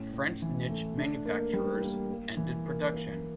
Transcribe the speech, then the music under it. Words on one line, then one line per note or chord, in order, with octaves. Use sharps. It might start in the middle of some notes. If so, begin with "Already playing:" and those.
French niche manufacturers ended production.
Already playing: A2 C#4
A2
E3
A3
D4
A#3
G3
A#3
A#3
E3
A#3
A#3